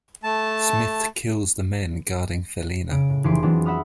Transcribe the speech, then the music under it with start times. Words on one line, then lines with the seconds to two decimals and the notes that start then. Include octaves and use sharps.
Smith kills the men guarding Felina.
0.24 A3 A5
2.91 C#3 D7
3.10 A2
3.24 F1 E3 G#4 B4 C6 D7
3.43 F2 E3 F#3 B3 C4 D4
3.65 E5 F#5 B5 D#6 F6